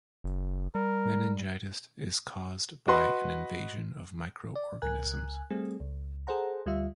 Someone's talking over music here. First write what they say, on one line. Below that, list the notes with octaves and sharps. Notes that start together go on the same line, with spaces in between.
Meningitis is caused by an invasion of micro-organisms.
F#1
G3 A#4
F#4 B4 D#5 C6
D5
C#2 A#4 G#5 F#6
G3 A3 C4 G#4
C#2
G#4 A4 C5 F#5 A#5
D2 G3 F4 E5